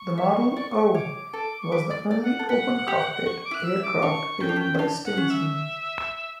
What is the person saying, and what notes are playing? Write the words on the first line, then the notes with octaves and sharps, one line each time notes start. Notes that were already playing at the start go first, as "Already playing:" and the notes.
The Model O was the only open-cockpit aircraft built by Stinson.
Already playing: C#6
E5
D5
C#5 D6
A4 D6
C#6
B4 D6
D5
D5
F#5
A4
B4 F#5
G4
F#4 C#6
D6
E4
F#6
E6
E4
D6
D4 C#6
C#4 G5
D4
C#4
C#4
D4
F#5
C#4
E5